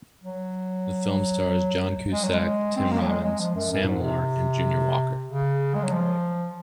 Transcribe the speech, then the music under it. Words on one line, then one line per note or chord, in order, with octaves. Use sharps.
The film stars John Cusack, Tim Robbins, Sam Moore and Junior Walker.
F#3
G#3
F#3
G#3
C4
A#3
F#3
G#3
G#3
F3
F#2
F#2
A#2
G#2
C3
C#3
G#3
F#3
F3